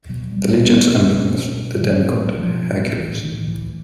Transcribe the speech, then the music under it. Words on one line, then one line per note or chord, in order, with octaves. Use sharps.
The legion's emblem was the demi-god Hercules.
B2 F#3
B2 G3
B2 G3
B2 G#3
B2 G#3
B2
B2
B2 D#3
E3
F3
B2 F#3
B2
F3
B2
A2 E3
A2 E3
A2 D#3
A2 E3